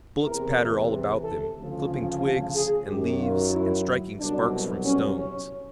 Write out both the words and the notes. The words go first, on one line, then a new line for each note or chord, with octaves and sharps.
Bullets pattered all about them, clipping twigs and leaves and striking sparks from stones.
E2 C3 E3 A#4
A4
D2 C#3 F3
G#4
F#2 D#3 F#3 G4
F4
E4
C2 B2 F#3 D4
C#4
C#4